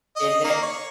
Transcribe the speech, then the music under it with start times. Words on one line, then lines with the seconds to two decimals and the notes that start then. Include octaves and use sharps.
Did it?
0.16 D#5
0.44 A#3
0.62 C#5